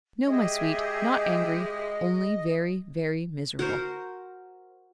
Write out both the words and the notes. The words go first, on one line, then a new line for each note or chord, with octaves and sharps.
"No, my sweet--not angry--only very, very miserable!"
G#3 G4 G#4 D#5 E5
F#4 A#4 C5